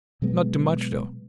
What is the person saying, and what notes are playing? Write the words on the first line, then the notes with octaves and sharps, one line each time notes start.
Not too much, though.
B2 F#3 G#3 B3